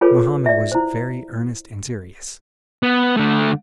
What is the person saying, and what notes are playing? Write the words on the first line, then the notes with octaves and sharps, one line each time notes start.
Mohammed was very earnest and serious.
F4 G#4 A4 B4 C#5
D5 E5
E4 C5
B3
D3 A3